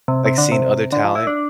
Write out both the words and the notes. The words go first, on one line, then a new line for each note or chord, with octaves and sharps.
like, seeing other talent,
C3
C3
D3
C3
D3
F3
E4
D4